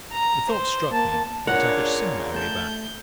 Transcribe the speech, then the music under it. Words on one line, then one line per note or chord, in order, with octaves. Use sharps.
The thought struck me that I could sing my way back.
A#5
C5
A#3 A5
A#2 C#3 D4 A#4 C#5 F#5
A3 A5 G6